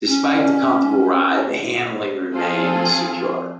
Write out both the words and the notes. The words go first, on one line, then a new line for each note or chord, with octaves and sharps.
Despite the comfortable ride, the handling remained secure.
C#4
F3 C4 F4 G#4 A4